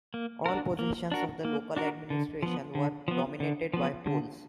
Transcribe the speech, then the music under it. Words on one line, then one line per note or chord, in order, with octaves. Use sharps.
All positions of the local administration were dominated by Poles.
A#3
D4 F#4 A#4
A#3
D4 F#4 A#4
A#3
D4 F#4 A#4
D3
F3 B3
D3
F3 B3
D3
F3 B3
D3